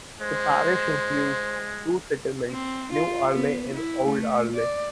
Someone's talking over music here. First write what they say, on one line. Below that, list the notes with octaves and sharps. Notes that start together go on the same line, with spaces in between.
The parish includes two settlements, New Arley and Old Arley.
G#3 C5
C4
F4
B3
E4
A3
D5